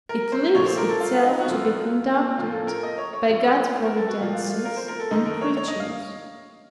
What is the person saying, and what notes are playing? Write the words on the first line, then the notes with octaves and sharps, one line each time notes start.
It leaves itself to be conducted by God's providences and creatures.
A#4
C5
A#2 F3 A3 C#5
C5
A#4
A4
F4
D#4
F#4
F#2 F3 A3 F4
A2 F3 A#3 F4
A4
A#4
D#5
C#5
C#5
F#2 F3 A3
C5
A#4
A4
F#4
A#2 F3 A#3 F4
F4
F4
A#4
C5
A#4
A4
F#2 D#3 A3 D#4
A#4
C#5
C#5
D#5
F5